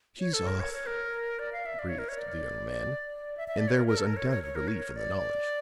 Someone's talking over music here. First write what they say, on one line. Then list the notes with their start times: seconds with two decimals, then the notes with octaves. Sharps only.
"She's off," breathed the young man, and there was undoubted relief in the knowledge.
0.20 C#5
0.34 A4
0.47 A#4
0.60 C#5
0.73 C#5
0.86 A#4
1.39 D5
1.53 F5
1.66 E5
1.79 D5
1.89 C#5
1.99 A#4
2.09 C#5
2.19 D5
3.37 E5
3.48 E5
3.58 D5
3.68 C#5
3.77 A#4
3.87 A#4
3.97 A4
4.07 A#4
4.17 C#5
4.31 C#5
4.43 C#5
4.55 A#4
4.68 C#5
4.96 D5